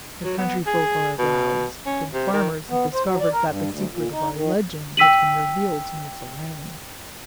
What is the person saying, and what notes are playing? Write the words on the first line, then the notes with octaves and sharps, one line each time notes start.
The country folk are aroused; the farmers have discovered that the secret of our legend has been revealed to Miss Elaine.
F#3
B3
G#4
B2
C#4
C3
D#3
B3
C5
F#3
D5
A#4
G2
D2
A#2
D#4
D#3
G5 E6 B6 D#7 F#7